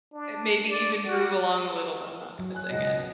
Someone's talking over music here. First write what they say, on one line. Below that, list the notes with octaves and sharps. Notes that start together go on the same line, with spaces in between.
eh, maybe even groove along a little, but I'm not gonna sing it,
D4
D5
F#4
F#3
G#5 F#6
C#2 G#2 B2 D#5